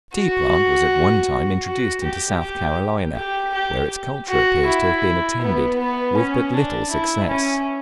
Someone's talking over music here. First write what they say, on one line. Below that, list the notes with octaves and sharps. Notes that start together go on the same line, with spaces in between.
The tea-plant was at one time introduced into South Carolina, where its culture appears to have been attended with but little success.
F#4
F#4
G4
G4
G4
G4
F#4
E4
B3
B3
C#4
D4
E4
C#4